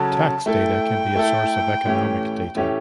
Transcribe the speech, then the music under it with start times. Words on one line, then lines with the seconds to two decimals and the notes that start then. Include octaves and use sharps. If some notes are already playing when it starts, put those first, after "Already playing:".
Tax data can be a source of economic data.
Already playing: C#3 F#3 C#4 F#4 A4 A5
0.46 A3 E4 A4 G5
1.16 A3 E4 A4
1.85 A2 E3 A3 C#4 G4
2.55 A2 E3 A3 C#4 G4